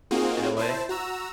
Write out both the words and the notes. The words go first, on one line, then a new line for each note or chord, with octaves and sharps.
in a way.
A#3 C4 D#4 F4 F#4 G#4
E4 C5 A5
F#4 A#5 E6